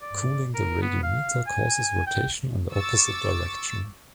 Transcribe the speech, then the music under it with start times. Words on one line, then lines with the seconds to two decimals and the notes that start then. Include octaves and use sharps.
Cooling the radiometer causes rotation in the opposite direction.
0.02 D5
0.55 A#4
0.82 B3
1.03 F5
1.47 G#5
2.07 G5
2.72 C#6 D6 E6 A6